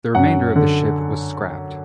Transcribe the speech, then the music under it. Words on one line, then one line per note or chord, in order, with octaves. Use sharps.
The remainder of the ship was scrapped.
F#2 F#5
D3